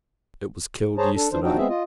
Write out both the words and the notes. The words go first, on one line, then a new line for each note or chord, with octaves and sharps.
It was killed yesterday.
G#4 C5 C#5 A5 A#5
D4 A4
D2 E3 D4 C5
D#2 F3 D4 D#4 F#4 G5
G#3 B3 C4 G#4 E5
F4 D#5